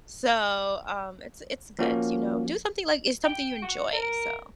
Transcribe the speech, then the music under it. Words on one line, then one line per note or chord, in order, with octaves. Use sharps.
So, um, it's it's good, you know? Do something, like, it's something you enjoy, so
F3 A#3 C#4 F#4
G5
F#4
A#4